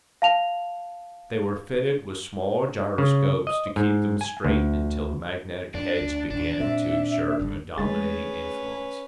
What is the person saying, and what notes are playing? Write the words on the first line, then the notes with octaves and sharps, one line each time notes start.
They were fitted with small gyroscopes to keep them straight until the magnetic-heads began to exert a dominating influence.
F5 A5 F7
C#3
D#5
G#2
G#5
D2
F2 D4
D2
A1 D#2 D4
A#2 C4 E5
F1 G2 D3
G#3 A3 C#4 G#4 B4 G#5 A6